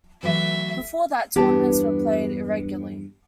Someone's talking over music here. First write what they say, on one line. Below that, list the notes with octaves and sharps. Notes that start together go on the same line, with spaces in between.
Before that, tournaments were played irregularly.
E3 F#3 A3 E5
E2 G2 B3 D4 G4 C#5 A5